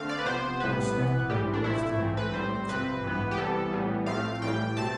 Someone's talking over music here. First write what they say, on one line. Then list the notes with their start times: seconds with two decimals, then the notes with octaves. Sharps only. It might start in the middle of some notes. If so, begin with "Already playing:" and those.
All songs by Royston Langdon except when noted.
Already playing: D3 A3 C4 F5
0.09 D5
0.19 B4
0.26 C3 F3 B3 C5
0.60 A2 G3 B3 B4
0.96 E3 B3
1.29 E3 G3 C4 G4
1.53 D4
1.64 C3 F3 A3 E4
1.99 E3 A3 C4
2.17 B4
2.34 A2 G3 C4 C5
2.69 C3 F3 C4 B4
3.04 E3 B3
3.31 G4
3.38 C3 E3 G3 B3 A4
3.72 A2 E3 G3 B3
4.06 A2 F3 A3 C4 F5
4.42 A2 E3 G3 G5
4.76 B2 A3 C4 A5